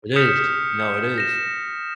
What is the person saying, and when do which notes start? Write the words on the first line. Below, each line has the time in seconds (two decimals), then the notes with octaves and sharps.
It is. No, it is.
0.16 D#6 F6 G6 B6 C#7 E7
1.18 A#6 E7